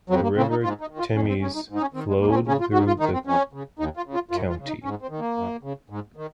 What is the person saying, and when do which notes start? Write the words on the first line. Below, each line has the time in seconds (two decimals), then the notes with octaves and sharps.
The river Temes flowed through the county.
0.10 F2 F#3
0.23 A#3
0.37 C#3 C4
0.50 D#4
0.63 G#2 F4
0.81 D#4
0.89 D#3
0.99 F4
1.16 F2 C#4
1.29 C4
1.41 C#3 C#4
1.55 D#4
1.69 G#2
1.75 D#4
1.81 C#4
1.94 D#3 C4
2.08 G#3
2.21 D#2 A#3
2.30 C#4
2.34 C4
2.47 C#3 C#4
2.60 F4
2.73 G#2 F#4
2.87 F4
3.00 D#3 D#4
3.13 C4
3.26 F2 C#4
3.53 C#3
3.79 D#2 D#4
3.97 F4
4.06 C#3
4.14 F4
4.31 F#2 F4
4.50 F4
4.58 C#3
4.67 D#4
4.84 G#2 C#4
5.02 C4
5.10 D#3
5.20 A#3
5.37 F#2
5.63 C#3
5.90 G#2
6.17 D#3